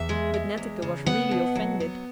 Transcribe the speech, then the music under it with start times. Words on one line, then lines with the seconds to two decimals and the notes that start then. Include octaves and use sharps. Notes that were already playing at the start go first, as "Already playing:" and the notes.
But Netteke was really offended.
Already playing: E2 E5
0.09 G#3
0.34 G#3
0.57 E2
0.82 C#3
1.06 B3 F#5
1.31 B2
1.55 F#3
1.80 B3